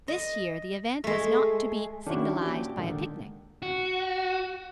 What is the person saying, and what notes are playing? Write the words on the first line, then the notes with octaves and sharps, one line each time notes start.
This year the event was not to be signalised by a picnic.
D#5
G#3 A3
D#3 C#4 D4 E4 F#4
A#2 G4
D3 D#3 G#3
F#4